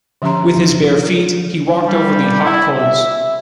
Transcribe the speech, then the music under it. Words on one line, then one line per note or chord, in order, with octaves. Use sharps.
With his bear feet, he walked over the hot coals.
D3 F3 C#4 G4 A#5 C6
G3
E4
E5